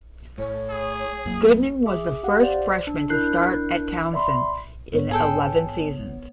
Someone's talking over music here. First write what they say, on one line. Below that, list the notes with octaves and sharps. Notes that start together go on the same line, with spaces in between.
Goodman was the first freshman to start at Towson in eleven seasons.
A2 C#5
G#4
F2 F#3 A#3
G#4 E5 D6
G4 F5 F#5
C5 D5
D4
D4 E4 A#4 F#6 G6 C7
D5 E5 B5 C6
G#2 B3 C#5
G#4 A4 G5